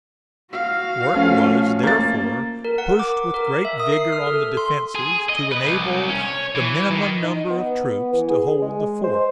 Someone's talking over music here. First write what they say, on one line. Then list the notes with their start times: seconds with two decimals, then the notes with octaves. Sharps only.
Work was therefore pushed with great vigor on the defences, to enable the minimum number of troops to hold the fort.
0.51 F#4 F5
1.14 F3 A3 C#4
1.83 A#3 A6
2.65 A#4
2.78 F#5
3.00 D6
3.34 A#4
3.47 A#4
3.65 E5
3.80 D#6
3.92 C7
4.12 F6
4.27 A4
4.57 C6
4.95 G#4
5.29 D#5
5.52 B4
5.66 C2
6.09 C#4
6.22 C#5
6.55 E3
6.91 D#3
7.23 D#4
7.50 B3
8.13 E3
8.30 G#4
8.62 G#3
9.04 C5